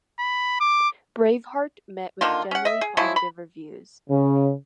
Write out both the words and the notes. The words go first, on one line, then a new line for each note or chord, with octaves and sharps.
"Braveheart" met with generally positive reviews.
B5
D6
D3 D#3 A#3 F4
C#4 F#5
D#5 E5
G#4
F3 F#3 G#3 E4
B5
C#3